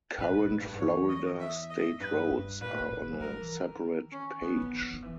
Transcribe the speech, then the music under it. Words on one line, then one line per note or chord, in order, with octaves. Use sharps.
Current Florida State Roads are on a separate page.
A#2 B4
A#2
E2
G2
E2 C#5
D#5
E5
D#5
E2
G2 B4
G2
A#2 B4
A#2
B2
A#2
G#3
G3 A#4
E3
D#3
C#4
E3 B3
C#3
D#3
D#3
D#3
E3